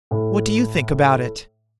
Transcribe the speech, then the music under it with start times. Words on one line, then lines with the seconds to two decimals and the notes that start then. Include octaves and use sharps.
"What do you think about it?"
0.11 A2